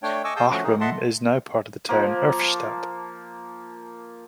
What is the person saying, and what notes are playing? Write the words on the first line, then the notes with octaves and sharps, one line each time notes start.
Ahrem is now part of the town Erftstadt.
A3 D4 C#5 G5
D#5 G#5 C#6 D6 E6
G#4 F5 A5 D#6 E6 G6
F3 A3 C#4 F#4
D#3 D#4 G#4
A4 D#5 E5 F#5 A5 C6
F3 A#3